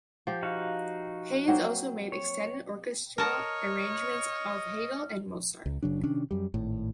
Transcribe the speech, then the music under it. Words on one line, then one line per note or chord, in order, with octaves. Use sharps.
Haynes also made extended orchestral arrangements of Handel and Mozart.
F3 G4
D#4 F#4 F5
F#3 A#3 C4
C#5
A#4 C#5 D#5 A5 A#5 F6
C#2
F#1 C#3 F#3 D4
C3 D#3 C#4 D4
F#2 G3
G#1 A2